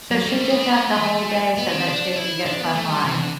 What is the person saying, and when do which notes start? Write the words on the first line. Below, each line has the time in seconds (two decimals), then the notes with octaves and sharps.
So she did that the whole day so that she could get front line,
0.11 F#3
0.26 G3
0.40 A3
0.50 B3
0.60 C4
0.69 B3
0.84 A3
1.57 B3
1.72 C4
1.87 D4
2.16 E4
2.45 D4
2.60 B3
2.74 A3
2.89 G3
3.04 E3
3.18 D3